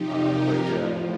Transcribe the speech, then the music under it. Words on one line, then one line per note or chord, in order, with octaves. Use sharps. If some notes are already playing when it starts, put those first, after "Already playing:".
uh, but, uh,
Already playing: C3 F3 D#4 G4
G4 A#4
A2 F3